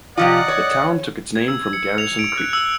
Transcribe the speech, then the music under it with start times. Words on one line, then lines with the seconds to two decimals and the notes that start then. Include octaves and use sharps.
The town took its name from Garrison Creek.
0.17 C3 F3 F4 D5 D#5 F#5
0.48 C#5
1.35 G#6
1.48 E6
1.73 C#7
1.98 F7
2.19 D7
2.38 F#6
2.53 E6